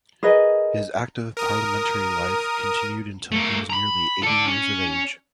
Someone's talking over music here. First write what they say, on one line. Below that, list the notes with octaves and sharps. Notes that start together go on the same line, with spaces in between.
His active parliamentary life continued until he was nearly eighty years of age.
G#4 A#4 B4 D#5
A#4 D#6
A3 A#3
A#5 B5
A4 D5
C#4